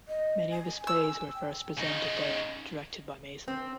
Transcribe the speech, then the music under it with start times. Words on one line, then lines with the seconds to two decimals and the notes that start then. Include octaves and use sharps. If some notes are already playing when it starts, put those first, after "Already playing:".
Many of his plays were first presented there, directed by Mason.
0.08 D#5
0.50 G#5
0.87 E6
1.34 G5
1.77 C#3 D#4
3.48 C4